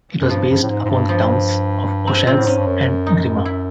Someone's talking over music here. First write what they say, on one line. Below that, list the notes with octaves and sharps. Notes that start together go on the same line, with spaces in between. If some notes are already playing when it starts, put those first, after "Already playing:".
It was based upon the towns of Oschatz and Grimma.
F#2
G2 F3
G2
A2
G#2
G#2
G2
F3
C4
A#2 C4
A2
G#2 C#4
G2
F#2
D#4
E4